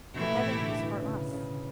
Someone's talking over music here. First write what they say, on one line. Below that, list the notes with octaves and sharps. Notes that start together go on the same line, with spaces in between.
Heaven is for us!
B2 E3 A3 E4 G4
A2
B2
D3
E3
C#3
C#3